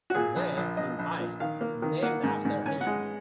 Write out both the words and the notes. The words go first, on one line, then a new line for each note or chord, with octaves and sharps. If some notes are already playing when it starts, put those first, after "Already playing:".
The in Paris is named after him.
F#4
A#2 G#4
A#1
A#1
A#1 D#5
A#1
A#2
D#3 F5
A#3
D#3
A#3 F#5
G#2
G#2
C#4 G#5
F#5
G#3